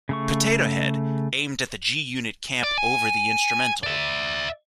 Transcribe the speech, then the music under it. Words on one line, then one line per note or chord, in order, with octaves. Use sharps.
Potato Head, aimed at the G-Unit camp over the instrumental.
C#3 A3 C#6
D5
G#5
D5 E5